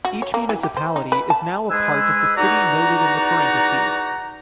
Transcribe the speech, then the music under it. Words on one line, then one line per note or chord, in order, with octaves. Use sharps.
Each municipality is now a part of the city noted in the parentheses.
F#4
C#5
A#3
E3
G4
C5
D#4
B4
A5
G#2 G#3 G#4 B4 G#5 E6
E2 D#4 F#4 D5 F#5 A#5